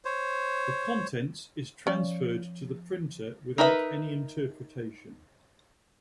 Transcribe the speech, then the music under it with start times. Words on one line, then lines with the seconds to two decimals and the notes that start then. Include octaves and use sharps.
The contents is transferred to the printer without any interpretation.
0.05 C5 C#5
1.87 F3 C#4 D5
3.58 D#4 A#4 B4 D#5 E5